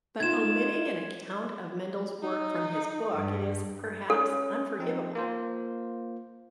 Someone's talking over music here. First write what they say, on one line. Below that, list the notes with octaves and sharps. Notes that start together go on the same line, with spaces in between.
But omitting an account of Mendel's work from his book is, perhaps, unforgivable.
D#4 F4 G#6 E7
D#4
G2
C#4 A4
F3 C4 D#4
A#3 F4 C5